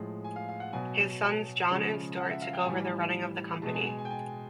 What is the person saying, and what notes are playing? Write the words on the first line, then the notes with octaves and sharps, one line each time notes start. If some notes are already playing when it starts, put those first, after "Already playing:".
His sons John and Stuart took over the running of the company.
Already playing: A2 F3 G#3
G#5
F5
F5
F#5
B2 F#3 G#5
A5
C#3 F3 G#3
F#5
E5
F5
G5
A2 E3 G3 G#5
B2 G#3 A5
G#5
G#5
G#5
G5
G#5